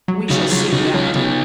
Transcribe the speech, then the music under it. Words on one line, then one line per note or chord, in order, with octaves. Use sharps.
"We shall see to that."
F#3
C#3 D#4 F#4
F#3 F4 G#4
C#3 D#4 F#4
F#3 C#4 F4
C#3 B3 D#4